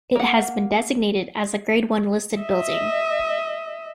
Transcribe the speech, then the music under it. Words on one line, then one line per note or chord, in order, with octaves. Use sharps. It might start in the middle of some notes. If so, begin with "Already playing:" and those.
It has been designated as a Grade One listed building.
A#3 F#5
D#5 E5